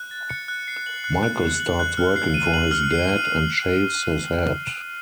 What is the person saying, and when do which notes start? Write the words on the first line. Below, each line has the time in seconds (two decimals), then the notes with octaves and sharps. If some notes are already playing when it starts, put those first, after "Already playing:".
Michael starts working for his dad and shaves his head.
Already playing: F#6
0.11 A6
0.29 C#7
0.48 F#6
0.68 C7
0.86 F#7
1.04 F#6
1.23 F#6
1.41 C7
1.60 F#7
1.79 F#6
1.97 F6
2.16 C7
2.34 D#7
2.54 F#7
2.71 F6
2.91 C7
3.09 D#7